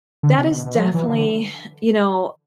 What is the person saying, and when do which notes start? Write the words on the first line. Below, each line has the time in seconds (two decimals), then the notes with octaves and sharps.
that is definitely you know,
0.23 D3
0.38 C3
0.52 B2
0.66 B2
0.75 E3
0.79 F#3
0.94 E3
1.09 D3